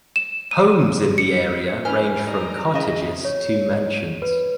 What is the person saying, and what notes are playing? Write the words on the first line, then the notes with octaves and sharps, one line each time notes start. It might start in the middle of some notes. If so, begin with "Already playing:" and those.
Homes in the area range from cottages to mansions.
E7
D#7
C#7
C#4 E4 B4 C5 G#5 F6
G3 A3 D#4 A#5
C#3 E4 C5 D#5 E5
C#5
B4